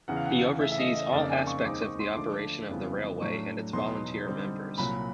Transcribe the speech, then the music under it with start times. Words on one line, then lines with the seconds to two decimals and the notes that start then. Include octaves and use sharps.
He oversees all aspects of the operation of the railway and its volunteer members.
0.08 E2 C#3 E3 F#5
0.17 F5
0.26 F#5
0.61 C#3 E3 A3 E5
0.72 E5
0.78 D#5
0.96 D#5
1.13 F2 C#3 F3 A#3 D#4 D5
1.30 G#5
1.47 C#6
1.64 D#2 D#3 G#3 C4 D#4 D6
1.82 C#6
2.00 C6
2.17 D3 F3 A3 D4 D6
2.69 F2 C#3 E3 G3 B3
3.21 A2 F#3 A3 D4 C#6
3.73 E2 B2 F#3 B3 D#4 C6
4.26 D3 G3 C4 D#4
4.78 C2 A#2 F#3 B5